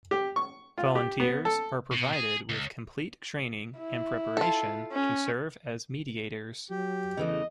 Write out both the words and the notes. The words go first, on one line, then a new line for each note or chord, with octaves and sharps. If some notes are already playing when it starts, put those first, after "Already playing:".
Volunteers are provided with complete training and preparation to serve as mediators.
G4
C#6
F4
G4
B3
A4
B2
G#4
C#2
E4
F4 A4
C#4
F#3 G4
E2 C#3 E3 A3 D#5